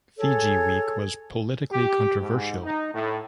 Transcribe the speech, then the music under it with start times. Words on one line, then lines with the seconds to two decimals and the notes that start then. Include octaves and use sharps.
Fiji Week was politically controversial.
0.19 G#4 A4 C#5
1.72 G4
2.20 G#2
2.64 D#4
2.94 A2